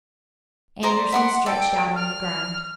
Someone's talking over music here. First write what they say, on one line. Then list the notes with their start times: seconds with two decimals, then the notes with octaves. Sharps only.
Andersen stretched out on the ground.
0.83 C5 D5 A#5
1.12 E4 F#5 C6 D6
1.46 A4 D5 G5
1.95 F6